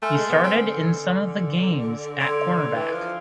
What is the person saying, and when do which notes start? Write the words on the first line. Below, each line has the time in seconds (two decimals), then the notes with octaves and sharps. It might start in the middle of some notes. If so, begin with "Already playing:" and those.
He started in some of the games at cornerback.
0.02 A3 G#5 C6 F6
0.17 G#3
0.30 B3
0.44 C4
0.56 D3
2.20 D3 C6 G#6 D7 F7
2.74 E3
2.93 F3